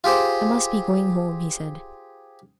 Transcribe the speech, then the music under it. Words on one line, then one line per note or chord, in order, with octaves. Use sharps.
"I must be going home," he said.
F4 G4 G#4 C5